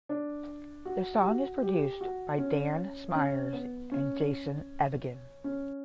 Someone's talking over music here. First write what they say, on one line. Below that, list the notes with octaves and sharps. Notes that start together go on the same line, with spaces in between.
The song is produced by Dan Smyers and Jason Evigan.
D4
F#4
G4
F#4
G4
F#4
C#4
C#4
B3
C#4
C#4